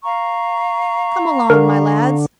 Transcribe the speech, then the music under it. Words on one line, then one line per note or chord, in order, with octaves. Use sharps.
Come along, my lads.
F5 A#5 C#6
D3 A#4